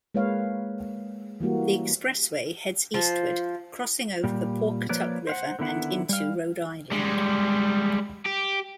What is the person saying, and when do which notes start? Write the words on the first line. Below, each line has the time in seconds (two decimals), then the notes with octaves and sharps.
The expressway heads eastward, crossing over the Pawcatuck River and into Rhode Island.
0.14 G#3 A#3 B4 C#5 F5
1.40 E3 G3 A#3 F#4
2.94 F3
4.24 A#2 G3
4.89 F3 A#3 B4 C#5 D5
5.27 C5 F5 F#5
5.59 D3 D#3 B3 E4 F#5
6.09 G3 F5
6.91 G3 G#3
8.26 G4